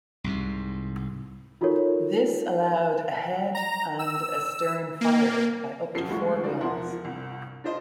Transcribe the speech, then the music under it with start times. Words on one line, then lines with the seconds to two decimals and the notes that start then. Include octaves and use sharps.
This allowed ahead and astern fire by up to four guns.
0.24 C2 G#2 C3
1.61 D#4 F4 F#4 A4 A#4 C#5
3.55 A#5
3.99 E6
5.01 A#3
5.94 F#2 F3 F#3 A4 C7
6.08 D2 G3 G#3 F4 C#6
6.44 D#4 F#4 D5
6.61 E2 F3 E4 A#4 F#5 C6
7.03 G1 C2
7.64 D4 F4 C5 D#5